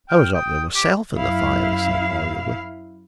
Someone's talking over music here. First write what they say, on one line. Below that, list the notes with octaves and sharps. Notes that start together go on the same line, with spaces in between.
"I was up there myself at the fire," he said volubly.
G5 F6
G5 D#6
G4 D6
F#2 E4 F5